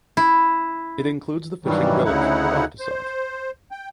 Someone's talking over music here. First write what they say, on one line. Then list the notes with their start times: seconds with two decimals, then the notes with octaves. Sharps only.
It includes the fishing village of Aftissat.
0.17 E4
1.64 G2 D#3 E3 F#3 G3
2.05 D2 C#3 D#4 E4 F#5
2.80 C5
3.71 G5